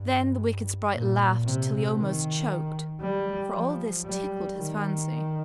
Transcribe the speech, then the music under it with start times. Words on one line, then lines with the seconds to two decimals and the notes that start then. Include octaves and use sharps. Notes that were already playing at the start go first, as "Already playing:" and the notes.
Then the wicked sprite laughed till he almost choked, for all this tickled his fancy.
Already playing: G2
0.93 A#2
1.45 C3
1.97 D#3
3.01 G3
3.53 F3
4.04 G3
4.56 D#3